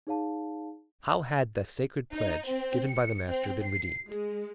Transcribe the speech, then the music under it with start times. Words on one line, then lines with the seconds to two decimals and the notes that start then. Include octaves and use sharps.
How had the sacred pledge, given by the master, been redeemed?
0.07 D#4 G#4 C#5 F5 A5
2.15 D#4
2.47 C4
2.90 C#7
3.29 C4
3.64 C7
4.07 G#3